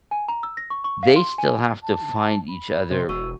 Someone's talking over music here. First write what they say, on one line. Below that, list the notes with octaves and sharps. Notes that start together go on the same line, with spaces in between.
they still have to find each other
G#5
A#5
E6
A#6
C#6
C#6
F5
C6
G#5
A5
B5
C3 C5 C6
E1 F#4 C#6 E6 D#7